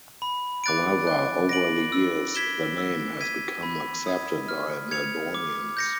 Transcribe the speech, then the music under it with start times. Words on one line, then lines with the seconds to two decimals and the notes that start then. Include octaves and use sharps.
However, over the years, the name has become accepted by Melbournians.
0.22 B5
0.64 D6 F#6 A6 D7
1.07 F#6
1.49 A#6 D7 F#7
1.92 E6
2.35 G#6 B6 E7 G7
2.78 E6
3.21 G#6 B6 D#7
3.63 B5
4.07 D#6 G#6
4.48 F6
4.91 G#6 C#7 F7
5.35 D6
5.77 G6 A#6 C#7